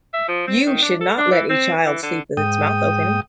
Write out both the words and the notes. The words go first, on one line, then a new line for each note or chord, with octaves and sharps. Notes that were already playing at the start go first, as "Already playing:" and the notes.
You should not let a child sleep with its mouth open.
E5
F3
C4
D#3
D4
A4
D4
E3
C4
E3
D3
G#2 G5 D#6